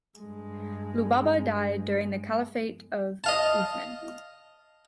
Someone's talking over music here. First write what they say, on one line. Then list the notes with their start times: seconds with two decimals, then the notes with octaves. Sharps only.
Lubaba died during the caliphate of Uthman.
0.19 G2 G#3
3.24 D#5 F5 A5